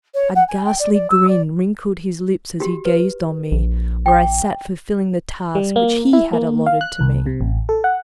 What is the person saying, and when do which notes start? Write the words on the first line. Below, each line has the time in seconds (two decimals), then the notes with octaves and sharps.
A ghastly grin wrinkled his lips as he gazed on me, where I sat fulfilling the task which he had allotted to me.
0.14 C#5
0.35 F#5
0.48 G#5
0.65 G5
0.79 D5
0.93 D5
1.10 E6
1.27 D5
2.60 F#4 G4
2.85 B4
3.52 A#1
4.06 G5 D6
5.55 G3
5.76 A#3
6.13 E4
6.33 A#3
6.66 F5
6.81 F#6
7.01 C2
7.26 C3
7.41 A1
7.69 A4
7.84 F#5